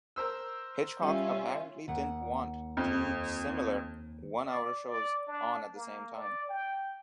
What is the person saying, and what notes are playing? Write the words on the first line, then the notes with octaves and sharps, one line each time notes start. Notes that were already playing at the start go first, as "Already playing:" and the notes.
Hitchcock apparently didn't want two similar one-hour shows on at the same time.
A#4 C5 E6
G3 C#4 F4 E5
D#2 F#5
F2
D5
D5
D4
A#3
D5
G5